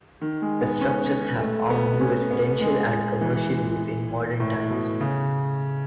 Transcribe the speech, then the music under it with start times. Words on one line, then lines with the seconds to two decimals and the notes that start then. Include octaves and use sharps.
The structures have found new residential and commercial use in modern times.
0.21 D#3
0.42 G#3
0.61 B3
0.81 C#4
1.41 A3
1.70 B3
2.01 C#4
2.31 B3
2.61 G#3
3.21 E3
4.40 A2
4.70 B2
5.01 C#3